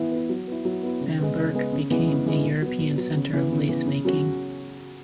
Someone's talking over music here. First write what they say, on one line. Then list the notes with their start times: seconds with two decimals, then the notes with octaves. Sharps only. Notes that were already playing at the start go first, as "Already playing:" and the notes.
Vamberk became a European centre of lace-making.
Already playing: E3 B3 E4
0.11 B3 E4
0.29 F#3
0.47 B3 E4
0.65 F#3
0.83 B3 E4
1.01 C#3
1.19 G#3 B3
1.36 C#3
1.54 G#3 B3
1.72 C#3
1.90 E3 G#3 B3
2.08 C#3
2.26 E3 G#3 B3
2.44 B2
2.62 F#3 B3
2.79 B2
2.97 F#3 B3
3.15 C#3
3.33 E3 B3
3.51 C#3
3.69 E3 B3
3.86 C#3
4.05 F#3 C#4 F#4